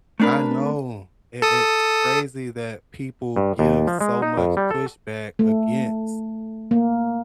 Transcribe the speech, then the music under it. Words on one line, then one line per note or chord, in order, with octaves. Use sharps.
I know i it's crazy that people give so much pushback against,
A3 C4 D4 A#4 B4
A4 D#6
G2
D#2
F3
G#3
D#4
F2
G3
A4
A3
A#3